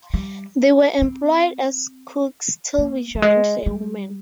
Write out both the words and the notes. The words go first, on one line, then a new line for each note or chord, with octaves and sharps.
They were employed as cooks till we joined the women.
G3
C4
A#3
G3
G#3
G3